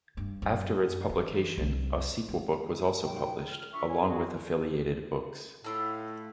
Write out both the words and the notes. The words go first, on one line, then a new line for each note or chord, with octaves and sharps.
After its publication, a sequel book was also published, along with affiliated books.
G2
F#2
E3
C2
G#3
G#2 B2 F#3 G#3 G5
F6
D4 F4 E5 B5 C#6
A#4 C#5 G#5
E4 F#4 G#4
A2 D4 E4 F4